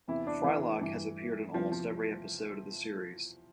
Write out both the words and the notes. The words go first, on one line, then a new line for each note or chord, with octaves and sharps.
Frylock has appeared in almost every episode of the series.
E2 C3 E3 E4
D4
E3
G2 E3
E2 C3 E3 F3
F3